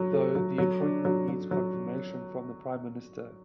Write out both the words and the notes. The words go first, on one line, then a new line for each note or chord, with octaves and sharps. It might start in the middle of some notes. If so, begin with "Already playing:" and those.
Though, the appointment needs confirmation from the Prime minister.
Already playing: F#3
A3
F#3
F#3
D4
F#3
F#3
F#3